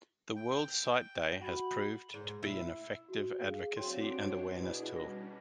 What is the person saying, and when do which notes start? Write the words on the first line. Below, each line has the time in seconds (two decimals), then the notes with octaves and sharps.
The World Sight Day has proved to be an effective advocacy and awareness tool.
0.36 G5
1.41 F#4 B5
2.14 G#2
2.43 E4
3.09 F#4
3.44 G#4 F5
3.77 F#3 C4 D4 G4 G5 C6
4.10 D4 C5 C#5 D7
4.54 B2 D4 E4 G#4
4.96 G3 C#4 D4 A#6